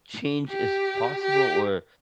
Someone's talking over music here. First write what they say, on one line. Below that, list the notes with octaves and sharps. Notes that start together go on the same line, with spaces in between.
"Change is possible?" Or,
G4
G4